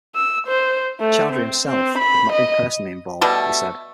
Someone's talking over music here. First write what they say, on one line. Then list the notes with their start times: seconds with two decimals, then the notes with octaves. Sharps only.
Chaudhry himself had not been personally involved, he said.
0.15 E6
0.47 C5
1.00 A3
1.32 C4
1.68 C4
1.98 B5
2.33 D#5
3.21 B2 G3 A3